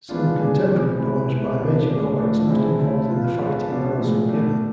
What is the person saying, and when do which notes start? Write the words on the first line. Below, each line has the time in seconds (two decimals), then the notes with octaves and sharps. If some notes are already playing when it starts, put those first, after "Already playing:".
Some contemporary poems by major poets not involved in the fighting are also given.
0.09 G#3 B3 D4 F4
0.38 G#3 D4 G#4
0.68 C3 E3 G#3
0.98 G#3 B3 E4
1.28 G#3 B3 E4 A4
1.58 C3 F3 B3 D4
1.89 A2 G#3 D4
2.19 A2 F3 A3 D4
2.48 D3 G#3 C4 E4 G#4
2.79 D3 A3 E4 A4
3.08 F3 B3 F4
3.38 F3 G#3 B3 F4 A4
3.68 B2 B3 D4
3.98 A2 F3 G#3
4.28 B2 A3 D4